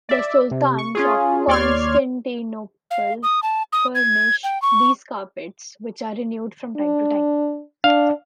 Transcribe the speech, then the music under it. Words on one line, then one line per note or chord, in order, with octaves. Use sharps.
The sultans of Constantinople furnish these carpets, which are renewed from time to time.
D5 E5
C3
C#6
C#4 F4 G#4
D#2 C#5 D5 C6 F6 G#6
F5
D#6
A5
D#6
G#6
G5
C#6
D4
D4 F5